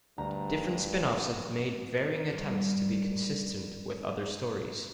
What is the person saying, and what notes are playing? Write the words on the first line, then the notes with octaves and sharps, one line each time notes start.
Different spin-offs have made varying attempts to be consistent with other stories.
D2 G2 A#5
G2 D#3